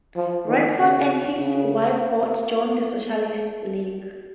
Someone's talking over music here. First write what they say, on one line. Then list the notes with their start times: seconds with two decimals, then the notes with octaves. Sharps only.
Radford and his wife both joined the Socialist League.
0.16 F3
0.47 D#3
0.78 C#3
1.40 C#3